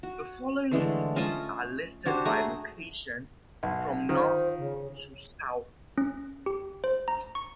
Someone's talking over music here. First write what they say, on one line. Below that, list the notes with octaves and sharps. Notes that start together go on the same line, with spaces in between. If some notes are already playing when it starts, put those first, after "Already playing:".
The following cities are listed by location from north to south.
F#4
D3 E3 G#3 A3
C#4 F4 D#5 A5
D4 F#4 G4 C5
A3 G#4 A#5
B1 F#5
D#3 F4 C5 F5
C#3
C#4
G4
C5
A#5
C#6